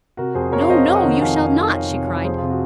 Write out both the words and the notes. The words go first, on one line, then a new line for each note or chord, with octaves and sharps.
"No, no; you shall not!" she cried.
C3 F#4 A#4
F2 G#4 C5
F2 A#4 C#5
F5
F2 C5 D#5
F2
D#5 F#5
D#3
F2 F5 G#5
F2
D#3
F2 C#5 F5
C3
F2
F3 G#4 C5
C3 F4
F#4